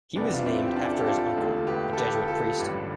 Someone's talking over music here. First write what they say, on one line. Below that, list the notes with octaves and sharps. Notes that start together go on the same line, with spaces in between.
He was named after his uncle, a Jesuit priest.
E2 C3 G3 B3 D4
F4
C4 E4
G4
D4 F4
A4
G4
F4 A4
E1 D2 D3 A3
G4 B4
A4
G4 B4
F4 A4
A1 G2 D3 G4 B4